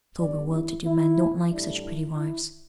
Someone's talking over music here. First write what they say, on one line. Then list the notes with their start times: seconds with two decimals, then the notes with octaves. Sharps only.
Sober well-to-do men don't like such pretty wives.
0.19 G2 G3 B3 D4 D5
0.52 E4
0.85 E4
1.51 A2 G3 D4 E4
1.84 E4
2.17 E4